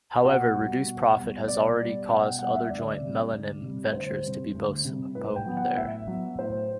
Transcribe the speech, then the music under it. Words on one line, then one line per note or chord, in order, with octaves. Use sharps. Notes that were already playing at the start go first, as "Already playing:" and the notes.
However, reduced profit has already caused other joint melamine ventures to be postponed there.
B2 F#4
G3 B3
B2
G3 B3
B2 D5
G3 B3
B2 F#5
G5
G3 B3 F#5
E5
D2 D5
C3 G3
D2
C3 G3
D2 C5
C3 G3
D2
C3 G3
A2 B4
G5
F#3 B3
F#5
A2 E5
F#3 B3
A2 C5